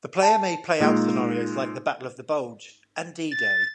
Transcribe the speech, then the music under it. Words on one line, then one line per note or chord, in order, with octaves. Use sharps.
The player may play out scenarios like the Battle of the Bulge and D-Day.
A5
A#2 G#3 D#4
A6